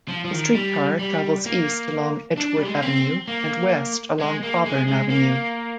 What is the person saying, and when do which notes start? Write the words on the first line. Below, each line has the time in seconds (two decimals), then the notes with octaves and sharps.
The streetcar travels east along Edgewood Avenue and west along Auburn Avenue.
0.08 F3
0.25 F3
0.32 D#3
0.55 G3
0.99 G3
1.46 A#3
2.37 D4
2.57 G3
2.65 G#3
2.74 A#3
2.82 C4
3.28 A#3
4.19 G#3
4.43 A#3
4.66 G#3
4.88 G#3
5.10 A#3